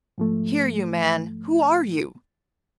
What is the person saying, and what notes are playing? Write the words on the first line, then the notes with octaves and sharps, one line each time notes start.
Here, you man, who are you?
G#2 F3 A3